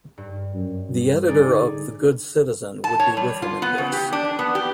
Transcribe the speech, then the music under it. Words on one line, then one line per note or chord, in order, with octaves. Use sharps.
The editor of "The Good Citizen" would be with him in this.
G2
F#2
G3
D3 D#4 G#4 D5
A5
C#5
G3
F4
B3
C#3
G4
D4
B3
G4